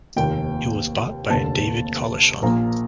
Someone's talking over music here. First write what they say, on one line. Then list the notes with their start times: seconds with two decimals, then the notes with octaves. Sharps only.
It was bought by David Collischon.
0.16 F1 D#2 D#3 G5
1.30 F1 D#2 D3 A5
2.42 A#1 A#2 F3 A#3 A#5